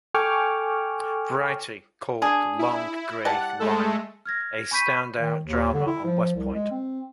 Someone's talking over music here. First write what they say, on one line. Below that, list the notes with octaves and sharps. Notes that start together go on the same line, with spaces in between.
"Variety" called "The Long Gray Line" "..a standout drama on West Point".
A4 G5 G#5 C#6 D6 F6
D4 G#4
E4
G3 D5 F#5 A5
G#3 A3 A4
F6 G#6 A#6
G#5 B5 C#6 G6 B6 D#7
D#3
D#2
D3
E4
F3
C2
G#3
C4